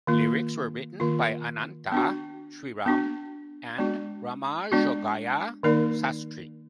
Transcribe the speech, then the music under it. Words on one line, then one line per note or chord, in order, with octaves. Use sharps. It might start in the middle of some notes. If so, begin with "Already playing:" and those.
Lyrics were written by Ananta Sriram and Ramajogayya Sastry.
D#3 A#3 F4
D#3 A#3 F4
B3 D4 F#4
B3 D4 F#4
G#3 B3 D4 F#4
G#3 B3 D4 F#4
D#3 A#3 D#4 A#4 D5